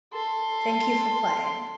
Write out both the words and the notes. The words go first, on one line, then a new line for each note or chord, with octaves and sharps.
Thank you for playing.
A4 C6